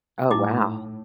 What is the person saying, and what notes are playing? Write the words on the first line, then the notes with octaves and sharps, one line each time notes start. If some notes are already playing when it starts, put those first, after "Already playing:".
Oh, wow.
A2 D#4 E4 D6